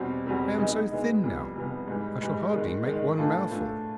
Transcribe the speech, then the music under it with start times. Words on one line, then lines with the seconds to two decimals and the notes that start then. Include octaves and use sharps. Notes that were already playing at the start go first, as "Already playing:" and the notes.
I am so thin now, I shall hardly make one mouthful.
Already playing: E2 B2 G3 C4
0.26 E2 B2 G3 C4
0.58 E3 G#3 B3 D#4
0.91 E3 G#3 B3 D#4
1.23 F2 C3 E3 G3 B3
1.56 F2 C3 E3 G3 B3
1.88 G#2 E3 G3
2.21 G#2 E3 G3
2.53 G#2 D#3 G#3
2.86 G#2 D#3 G#3
3.18 A2 E3 A3 D4 F4
3.51 A2 E3 A3 D4 F4